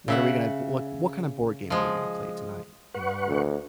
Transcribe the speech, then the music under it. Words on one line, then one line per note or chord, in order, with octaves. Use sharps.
"What are we gonna w like, what kind of board game are we gonna play tonight?" You know? And
C#3 E5 F#5
F3 G#3
B4 F#5 C#6
D2